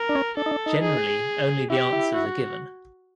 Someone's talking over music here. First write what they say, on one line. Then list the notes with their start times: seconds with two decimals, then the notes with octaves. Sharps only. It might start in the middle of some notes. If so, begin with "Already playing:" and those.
Generally, only the answers are given.
Already playing: A#4
0.09 D4
0.15 C#4
0.37 D4 A4
0.46 D#4
0.51 D4
0.66 D#4
0.82 G#4
1.70 E4 G4
1.93 E4
2.14 F#4